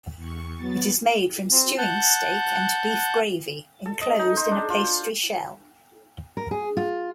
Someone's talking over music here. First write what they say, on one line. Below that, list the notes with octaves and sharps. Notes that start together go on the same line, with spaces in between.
It is made from stewing steak and beef gravy, enclosed in a pastry shell.
E2 C#6
F#3 B3 A6
C4
F#5 A5 F#6 G6
A4
D#5
D#4
C5
D4
F4
C5
A#4
G#4
F4